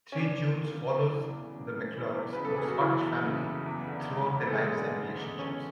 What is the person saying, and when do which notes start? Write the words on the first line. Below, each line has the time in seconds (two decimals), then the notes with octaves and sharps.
"Three Junes" follows the McLeods, a Scottish family, throughout their lives and relationships.
0.12 C#4
0.20 E3 D4
0.42 E2
0.64 C#3
0.84 F#1
1.06 E3
1.28 E2
1.50 C#3
1.72 F#1
1.93 E3
2.14 E2
2.33 C#3 B4
2.45 A4
2.56 F#1 G#4
2.68 F#4
2.79 E3 E4
3.01 E2
3.23 C#3
3.44 F#1
3.66 E2
3.87 D3
4.09 G#3
4.31 E2
4.47 A4
4.52 E2 G#3 G#4
4.75 D3
4.96 G#3
5.17 E2
5.39 E2 C#4 C#5